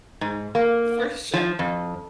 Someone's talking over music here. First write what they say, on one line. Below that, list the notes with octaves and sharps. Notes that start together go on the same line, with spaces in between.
For sure.
G#2
A#3
F3
F2